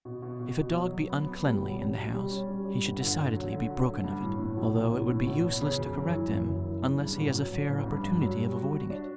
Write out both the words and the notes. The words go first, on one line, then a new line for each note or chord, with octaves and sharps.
If a dog be uncleanly in the house, he should decidedly be broken of it, although it would be useless to correct him unless he has a fair opportunity of avoiding it.
B2
B2
B2
B2
F#3
F#3
B3
B3
G3
B1
G3
B2
G3
C#4
G3
G3
G1
D3
D3
F#3
D3
F#3
D3
G2
A2
A2
B1
B1
A2
A2
B1
B3
C#3
F#2
F#2
E3
F#1
F#2
E3
C#3
G2
A1
F#3
F#3
A1
G2
G2
F#3
G3
F#4
F#4
D4